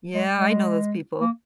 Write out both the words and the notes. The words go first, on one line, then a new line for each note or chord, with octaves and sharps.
Yeah, I know those people.
G#3
G#3
A#3